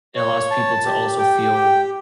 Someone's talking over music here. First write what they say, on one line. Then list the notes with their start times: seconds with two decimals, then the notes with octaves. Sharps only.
it allows people to also feel
0.16 C#5
0.51 A5
0.85 G4
1.18 G5
1.53 G4